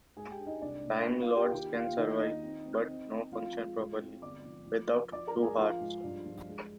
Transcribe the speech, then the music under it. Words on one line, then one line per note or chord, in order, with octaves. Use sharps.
Time Lords can survive, but not function properly, without two hearts.
G#2 G#4 G#5
G4 G5
D4
D#4 D#5
C2 D4 D5
A#2
A#1
F4 F5
A#3
G4 G5
D#3 G4 G5
D#2 F4 F5
D#3 D#4 D#5
D#3 D#4 D#5
C4
C4
C4
C4
F3 F4 F5
G#3
G#2
C4
G1 D5 D6
F3
F3
F3
F3 D5 D6
A#4 A#5
G#2
G#4 G#5
F3 F4 F5
G#2
G2
F3
G#3